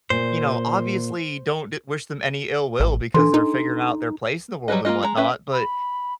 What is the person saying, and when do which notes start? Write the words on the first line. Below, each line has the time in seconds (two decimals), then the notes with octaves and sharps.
you know, obviously don't d wish them any ill will because they're figuring out their place in the world and whatnot, but
0.10 A#2 C5
2.80 A1
3.14 E3 D4 A4 C6
3.34 D#4
4.68 F#3 G3 B4 D#5
4.85 A#3 C4 F4 D#5
5.03 G#3 A#5
5.17 C#4 B4 E5
5.52 B5